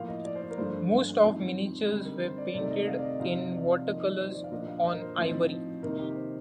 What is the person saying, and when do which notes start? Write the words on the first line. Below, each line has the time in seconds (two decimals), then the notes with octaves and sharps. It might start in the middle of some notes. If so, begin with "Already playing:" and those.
Most of miniatures were painted in watercolors on ivory.
Already playing: A2 F3 A#3 F5
0.08 D#5
0.25 D5
0.36 C5
0.42 D5
0.50 A#4
0.58 G2 F3 A3 D4 C5
1.23 F2 D#3 G3 C4 D#4
1.89 D3 G3 C4 D#4 G4
2.05 A#4
2.22 C5
2.38 D5
2.54 C3 D#3 A3 C4 D#4 D5
2.71 D#5
2.87 F5
2.99 D5
3.04 D#5
3.20 C3 F3 C4 D#4 F5
3.46 D#5
3.54 D5
3.70 F5
3.86 F2 D#3 A#3 D#4 D#5
4.02 D5
4.19 C5
4.35 D5
4.44 F5
4.52 A#2 F3 A#3 D4 D#5
4.68 F5
4.84 D#5
4.93 A#4
5.01 C5
5.17 A2 F3 C4 D#4
5.83 C3 D#3 A#3 D#4 A#4
5.99 G4
6.16 C5